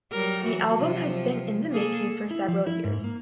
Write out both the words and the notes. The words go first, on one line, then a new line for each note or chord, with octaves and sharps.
The album has been in the making for several years.
F#3 G3 A#4
E3 F#3 F#4
C3 F3 F#3
A#3 G#4 A4
E4
F3
E4
G#2
A#3